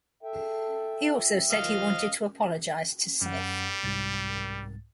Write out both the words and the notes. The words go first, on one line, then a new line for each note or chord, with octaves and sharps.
He also said he wanted to apologize to Smith.
A4 E5 G5
C#2 F3 D#5 F5
F#2 G3 F#5
C2 G#2 A6